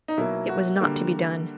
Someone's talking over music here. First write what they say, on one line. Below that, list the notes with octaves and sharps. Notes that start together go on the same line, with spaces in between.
It was not to be done.
D#4
B2 F#3 A#3 E4
F#4
D3 G3 A#3